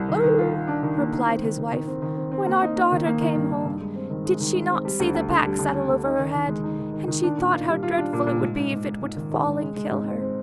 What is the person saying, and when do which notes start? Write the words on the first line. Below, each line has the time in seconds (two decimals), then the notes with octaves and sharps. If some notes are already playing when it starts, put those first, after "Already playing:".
'Oh!' replied his wife, 'when our daughter came home, did she not see the pack-saddle over her head, and she thought how dreadful it would be if it were to fall and kill her.'
Already playing: C2
0.08 D#3
0.23 D#3
0.38 F4
0.53 F4
0.68 D4
0.83 D#3
0.98 A#3
1.13 D#3
1.27 C4
1.43 D#3
1.58 D#3
1.72 D#3
1.87 C4
2.02 D#3
2.17 C4
2.32 C4
2.46 A#3
2.62 D#4
2.76 A#3
2.92 D#3
3.06 A#3
3.21 D#3
3.36 G2
3.51 D#3
3.65 G2
3.81 G#3
3.95 C4
4.10 D#3
4.25 G#3
4.40 D#3
4.55 G#3
4.70 C4
4.85 G3
5.00 D2
5.15 D2
5.29 D3
5.45 G3
5.59 D3
5.74 G3
5.89 D2
6.04 D#4
6.19 D#3
6.34 D#3
6.48 G#3
6.64 D#4
6.78 D#3
6.93 D#3
7.08 D#3
7.23 D4
7.38 A#2
7.53 F4
7.68 G3
7.83 F4
7.98 D4
8.13 A#2
8.27 A#2
8.42 G#2
8.57 G#2
8.72 G#2
8.86 G#2
9.02 G#2
9.16 D#3
9.31 D#3
9.46 G#2
9.61 G#3
9.76 G#3
9.91 G#2
10.06 C4
10.21 C4